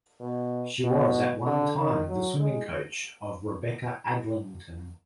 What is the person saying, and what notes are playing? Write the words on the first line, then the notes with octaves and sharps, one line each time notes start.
She was at one time the swimming coach of Rebecca Adlington.
B2
B2
D3
D#3
F#3
G#3